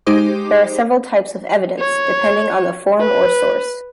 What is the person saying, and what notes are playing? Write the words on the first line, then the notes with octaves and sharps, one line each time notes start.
There are several types of evidence, depending on the form or source.
G#3 D#4 G4 C5 D6
C#5
B4